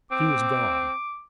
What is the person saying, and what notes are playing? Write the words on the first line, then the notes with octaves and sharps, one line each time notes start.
He was God.
C4 D6